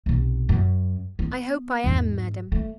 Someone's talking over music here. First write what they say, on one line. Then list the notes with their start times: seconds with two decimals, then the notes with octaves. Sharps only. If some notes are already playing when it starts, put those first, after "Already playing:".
"I hope I am, madam."
0.06 B1 C3
0.49 F#2
1.19 B3
1.84 E2 G#2
2.52 A3